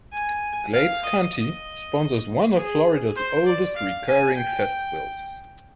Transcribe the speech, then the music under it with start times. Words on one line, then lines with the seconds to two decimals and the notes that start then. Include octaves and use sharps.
Glades County sponsors one of Florida's oldest recurring festivals.
0.13 G#5
0.73 F5
1.03 D#5
1.34 D#5
2.55 G#4
3.16 C5
3.46 D5
3.76 F5
4.07 G#5
4.36 G5